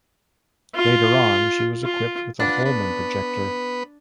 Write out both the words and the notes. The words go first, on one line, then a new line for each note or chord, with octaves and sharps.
Later on, she was equipped with a Holman Projector.
F4
F4
D4 F4 B4 F#5
B3 B4